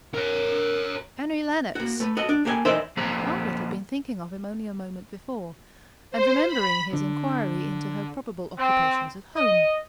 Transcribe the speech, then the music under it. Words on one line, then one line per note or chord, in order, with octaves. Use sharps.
Henry Lennox.' Margaret had been thinking of him only a moment before, and remembering his inquiry into her probable occupations at home.
A#4 C#5
A#3 F#4
A3 B4
F#4 A4 D#5
D4
A#3 G4 A4 F#5 G#5
E3 D#4 A#4 C5 D5 E5
F3 A#3 G4 A4 C5 A#5
C5
B5
D3
C4
D#5